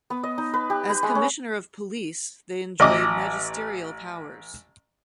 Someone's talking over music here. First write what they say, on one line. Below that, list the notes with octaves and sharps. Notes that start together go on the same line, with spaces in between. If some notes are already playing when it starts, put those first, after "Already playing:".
As Commissioner of Police they enjoy magisterial powers.
B3
D#5
D#4
B4
G4
B4
G#3
C#4
A1 D#5 D6